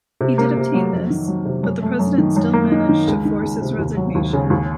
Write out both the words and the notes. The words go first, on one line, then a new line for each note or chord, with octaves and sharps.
He did obtain this, but the President still managed to force his resignation.
C3
A#3
C3
F#3
F2
D#3
F#3
C3
F#2
A3
F#2
D#3
F#2
A#3
D#4
D#3
C#2
D#3
C#2
C3
D#2
F#3
D#2
C#3
D#2